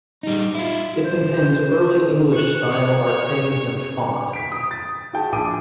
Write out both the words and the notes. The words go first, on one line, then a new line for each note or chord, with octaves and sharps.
It contains Early English style arcades and font.
G3 D#4
E4 F4
C5
C#6 F#6
C#5
B6 D7
D#6
A6
F#4 G#4 G5 A5
A#1 D4 G#5 D6 D7 D#7